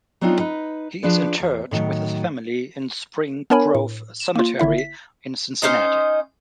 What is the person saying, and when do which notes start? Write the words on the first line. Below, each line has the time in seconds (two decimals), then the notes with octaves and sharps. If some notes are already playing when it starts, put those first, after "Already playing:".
He is interred with his family in Spring Grove Cemetery in Cincinnati.
0.21 F#3 B3 C4 D4 D#4 F4
0.39 D#4 B4
1.03 F3 D4 G#4 B4 D5
1.40 E2
1.71 A2 D#3 F3 F#3
3.50 B3 D4 A#4 C#5 G#5 B5
3.75 A2
4.20 E7
4.36 A#3 F4
4.59 G#1 D3 E4 E5
4.78 B6
5.62 C#4 D#4 C5 D#5